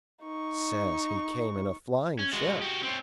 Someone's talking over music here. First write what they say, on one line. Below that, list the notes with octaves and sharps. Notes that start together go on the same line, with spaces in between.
Says he came in a flying ship.
D#4 C#6
C#4
G#3 F#4
F#4 G4
C4 C#5